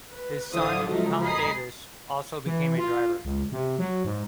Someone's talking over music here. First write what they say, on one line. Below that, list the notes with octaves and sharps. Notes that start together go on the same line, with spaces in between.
His son Colin Davis also became a driver.
B4
A1 D3 E4 C5 F5 D#6
C#3 F3 F#3 G#3 A3 D#4
D#5 G#5 A#5 B5 D#6 C7
E3
F4
C#2
C3
F#3
G#2